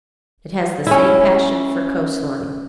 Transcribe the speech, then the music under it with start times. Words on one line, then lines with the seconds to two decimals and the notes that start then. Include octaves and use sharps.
It has the same passion for coast-line.
0.87 C#4 E4